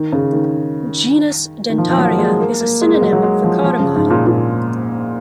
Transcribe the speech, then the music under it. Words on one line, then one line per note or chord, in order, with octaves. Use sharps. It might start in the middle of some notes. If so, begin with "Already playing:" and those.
Genus Dentaria is a synonym for "Cardamine".
Already playing: D#3
C#3
D#3
D#3
F3
F3
F#3
A#3
G#3
A#3
A#3
G#3
G#3
F#3
F#3
G#3
F3
F3
C#3
G#2
G#2
A#2
A#2